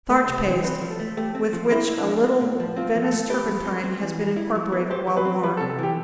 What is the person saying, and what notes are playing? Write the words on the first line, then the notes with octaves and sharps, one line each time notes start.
Starch paste, with which a little Venice turpentine has been incorporated while warm.
A3 B4
C5
C3
B4
E3 C5
C4 B4
F3
A4
A3
A3 G4
C4
F3
C4 E4
E4
D4
F3
C4
A2
F3
C4 F4
F3
A4
A3
G4 B4
F3
C4
C4
E3
G3
E4
F3
B3
G4 C5
F3
B4
C4
G3 B4
A4
C3
A4
E3 G4